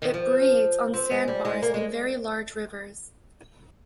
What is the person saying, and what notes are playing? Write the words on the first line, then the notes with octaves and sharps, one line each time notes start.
It breeds on sandbars in very large rivers.
D#3
F3
C4
G#3
G3
G#3
A#3
G#3